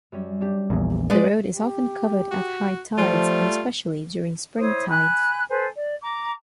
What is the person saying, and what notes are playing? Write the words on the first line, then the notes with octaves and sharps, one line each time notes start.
The road is often covered at high tides and especially during spring tides.
F#2 G3 C#4
C4 D4 G4
A#1 E2
G#3 B4 D5
G4
F#4
F3 G3 A3 F4
E4 C5 C#5 D#6
G#5 B5 F#6
A4 B4 C5 G#5
D5
A#5 D6